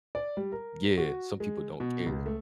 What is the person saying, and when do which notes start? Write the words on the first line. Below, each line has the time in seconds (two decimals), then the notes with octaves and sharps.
yeah, some people don't care.
0.15 D5
0.37 G3
0.52 A#4
0.97 F#4
1.40 G#3
1.80 B2
2.06 C#2
2.26 A3